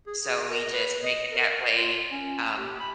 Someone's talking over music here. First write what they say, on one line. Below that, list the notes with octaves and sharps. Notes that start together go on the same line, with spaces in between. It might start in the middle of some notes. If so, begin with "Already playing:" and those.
so we just make it that way, um,
G#4
G#4
A#4
B4
D#5
A#4
F4
C#4
G4
B5